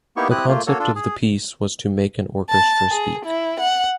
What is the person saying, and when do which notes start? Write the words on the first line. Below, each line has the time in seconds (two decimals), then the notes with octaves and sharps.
The concept of the piece was to "make an orchestra speak".
0.17 A#3 B3 D#4 E4 G4 C#6
0.31 C4 E4 G4 D#6 F#6
0.48 A3 A#3 F4
0.67 A#3 F#4 A4 C#5
0.79 D4 F4 A4
0.96 G#4
2.50 A5
2.90 G#4
3.25 E4
3.60 F#5